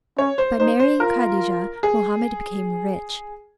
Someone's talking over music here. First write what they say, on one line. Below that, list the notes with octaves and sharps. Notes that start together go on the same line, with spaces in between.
By marrying Kadijah Mohammed became rich.
C#4 C#5
C5
D#4 C5
C5
F4 A#4
G#4